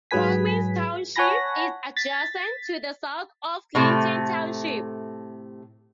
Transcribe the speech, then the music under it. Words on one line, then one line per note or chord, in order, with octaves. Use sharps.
Comins Township is adjacent to the south of Clinton Township.
G#2 F#3 G#4 B4 G#5 B6
C#5 F#5 G#5 A5 B5 A#6
A6 B6
A2 C3 A3